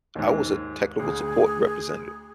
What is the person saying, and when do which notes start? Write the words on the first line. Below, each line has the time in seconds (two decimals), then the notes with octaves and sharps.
I was a technical support representative,
0.15 D#2 G#2
0.99 D2 G#4